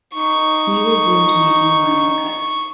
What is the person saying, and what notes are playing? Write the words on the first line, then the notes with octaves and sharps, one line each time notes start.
He resumed making lino-cuts.
D#4 C#6